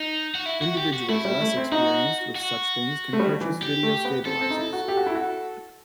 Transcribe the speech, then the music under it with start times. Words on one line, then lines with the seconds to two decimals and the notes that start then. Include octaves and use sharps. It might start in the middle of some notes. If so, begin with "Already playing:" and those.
Individuals less experienced with such things can purchase video stabilizers.
Already playing: D#4
0.35 F#4
0.46 E4
0.62 F#4
0.77 G4
0.93 F#4
1.09 A3 E4
1.25 G3
1.41 A3
1.57 C4
1.72 D#4 F#4
2.36 F#4
3.13 A3
3.20 G3
3.41 E3
3.62 G4
3.83 A3
4.05 B3
4.25 C4 A4
4.41 C4
4.50 D#4
4.57 E4
4.73 F#4
4.88 G4
4.97 F#4
5.06 E4
5.15 F#4